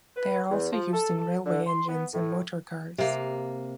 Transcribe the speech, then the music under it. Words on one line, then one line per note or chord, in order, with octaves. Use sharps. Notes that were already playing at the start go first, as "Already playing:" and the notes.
They are also used in railway engines and motor cars.
B4
E2
F3
A4
A4
D3
C6
B3
A2
C3 A#3